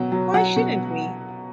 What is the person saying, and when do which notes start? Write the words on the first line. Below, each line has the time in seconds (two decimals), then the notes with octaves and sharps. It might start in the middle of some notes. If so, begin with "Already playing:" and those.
Why shouldn't we?
Already playing: B2 F#3
0.12 F#3
0.34 F#3 F#5
0.56 B2